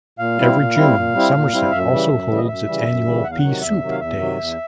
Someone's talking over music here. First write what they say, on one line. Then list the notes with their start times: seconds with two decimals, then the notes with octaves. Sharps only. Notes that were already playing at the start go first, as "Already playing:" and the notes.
Every June, Somerset also holds its annual Pea Soup Days.
0.19 A#2 F5
0.38 G3 C4 E4
0.57 A#2
0.76 G3 C4 E4
0.95 A#2
1.14 G3 C4 E4
1.33 A#2
1.52 G3 C4 E4
1.71 F#2 E5
1.91 C#3 E3 G3
2.10 F#2
2.29 C#3 E3 G3
2.37 D#5
2.47 F#2 E5
2.66 C#3 E3 G3
2.86 F#2
3.05 C#3 E3 G3
3.24 E2 F#5
3.31 F5
3.38 F#5
3.43 C3 D#3 F#3
3.62 E2 E5
3.81 C3 D#3 F#3
3.91 F5
4.00 E2 E5
4.19 C3 D#3 F#3
4.38 E2